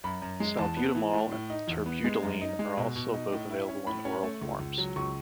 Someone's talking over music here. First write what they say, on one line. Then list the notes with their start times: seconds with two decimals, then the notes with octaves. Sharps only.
Salbutamol and terbutaline are also both available in oral forms.
0.04 F#2 B5
0.22 F#2
0.40 G#3
0.59 E2 A5
0.77 B3
0.95 E3
1.13 A2
1.31 A2
1.50 D#4
1.68 E2
1.86 B3
2.04 G#3
2.23 F#2
2.41 D#4
2.59 G#3
2.77 B2
2.95 B2
3.14 D#4
3.32 A2
3.51 E4
3.68 C#4
3.87 A2 B5
4.05 C#4
4.23 A3
4.41 C#2
4.59 C#2
4.78 F#3
4.96 C#2 C#6